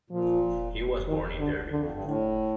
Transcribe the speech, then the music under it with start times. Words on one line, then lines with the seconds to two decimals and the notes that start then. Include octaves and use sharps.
He was born in Derby.
0.10 A#2 F3
1.07 D#3
1.39 D3
1.71 F2 D3
1.91 G2
2.04 A2 D3